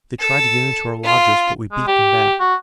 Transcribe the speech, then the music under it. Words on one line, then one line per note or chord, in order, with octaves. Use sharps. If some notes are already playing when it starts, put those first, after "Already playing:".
They tried to get into our lodges, but we beat them back.
A4
F4
G#3
G4
F#4